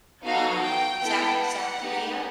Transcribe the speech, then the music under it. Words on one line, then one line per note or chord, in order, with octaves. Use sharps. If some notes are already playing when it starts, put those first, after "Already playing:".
um, Zack Zack Padilla
B3 D#4 F#4 A4 F5
G5
B3 E4 A4 G5
F#5
B3 D#4 G4